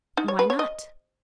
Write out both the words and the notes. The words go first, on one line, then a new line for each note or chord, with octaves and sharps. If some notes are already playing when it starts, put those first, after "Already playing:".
"And why not?"
D#4
C#5
B4
C#5
D#5